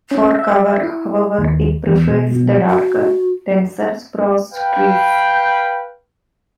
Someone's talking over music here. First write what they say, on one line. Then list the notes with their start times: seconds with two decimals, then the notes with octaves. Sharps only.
For cover, however, it prefers the darker, denser spruce trees.
0.11 C#4
0.39 E5
0.83 E4
1.38 D#2
1.86 E2
2.08 B2
2.32 B2
2.69 F#4
4.53 B4 F5 G5